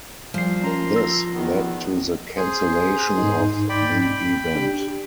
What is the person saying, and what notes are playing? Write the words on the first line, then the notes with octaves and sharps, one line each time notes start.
This led to the cancellation of the event.
A#2 F3 G3 C7
C#4 A#4 A#5 C6
E6 A#6
E2 D#3 B3
G#4 C5 G#5
G#2 D#4
D5 G5 B5
G5 B5
D4 G4